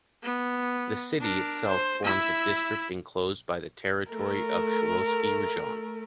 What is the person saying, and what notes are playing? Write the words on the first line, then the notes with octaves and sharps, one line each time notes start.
The city itself forms a district enclosed by the territory of Sowetski Rajon.
B3
D4 A#4
C5
E4 E5
A3 A#4